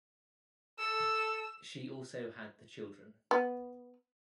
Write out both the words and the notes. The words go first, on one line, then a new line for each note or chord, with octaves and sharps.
She also had the children.
A4 E6
B3